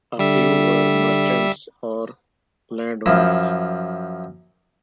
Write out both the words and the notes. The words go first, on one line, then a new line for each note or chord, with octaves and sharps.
A few were merchants or landowners.
D3 G3 E5
F#2 F3 E4